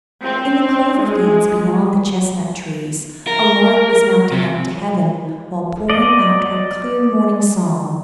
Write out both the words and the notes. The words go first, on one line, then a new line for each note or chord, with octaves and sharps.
In the clover-fields beyond the chestnut-trees, a lark was mounting up to heaven, while pouring out her clear morning song.
C4
G#3
A#4
C3
D5 D#5